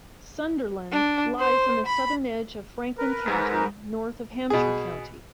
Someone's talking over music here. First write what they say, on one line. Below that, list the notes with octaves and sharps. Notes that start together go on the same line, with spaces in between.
Sunderland lies on the southern edge of Franklin County, north of Hampshire County.
D4
C5
B5
A#4 B4
G#2
B2 G#4